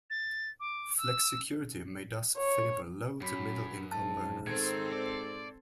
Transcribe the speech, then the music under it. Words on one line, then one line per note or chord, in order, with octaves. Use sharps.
Flexicurity may thus favour low- to middle-income earners.
A6
D6
E6
C#5
F#2 F#3 C#4 B5 B6
G#2 A5
D#3 C4 A4 C5 G#6
D5